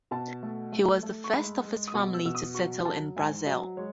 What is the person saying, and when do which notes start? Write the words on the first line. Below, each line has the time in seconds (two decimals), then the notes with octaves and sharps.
He was the first of his family to settle in Brazil.
0.11 B2 A5
0.43 A3
0.72 A3
1.03 A3
1.24 C#6
1.33 G#3 B5
1.64 G#3
1.88 D#6
1.94 B2 C#6
2.14 E6
2.25 B2 E6
2.35 D#6
2.55 F#3 C#6
2.85 F#3 A5
3.16 G#2 G#5
3.46 F#3 D#5
3.77 G#3 C#5